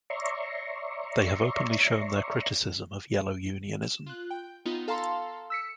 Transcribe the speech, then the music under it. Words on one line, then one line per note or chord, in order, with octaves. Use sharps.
They have openly shown their criticism of yellow unionism.
C#5 D5 E5 A#5 C6 C#6
E7
F4 F#6
G5
B3 D#4 F4
A4 F5 A5 A#5 C6
E6 B6 C#7